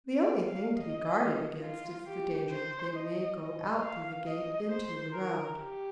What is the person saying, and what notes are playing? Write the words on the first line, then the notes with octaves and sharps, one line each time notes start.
The only thing to be guarded against is the danger that they may go out through the gate into the road.
D5
F5
D#5
F4
G4
C5
D#5
D#5
F5
D#5
C5
A#4
G4